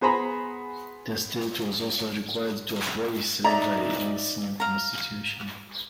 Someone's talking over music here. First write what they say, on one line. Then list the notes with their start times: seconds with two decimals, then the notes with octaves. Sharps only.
The state was also required to abolish slavery in its new constitution.
0.01 B3 G#4 C5 G#5 A#5 B5
3.44 D#4 D5 E5 A#5
4.60 F5 A#5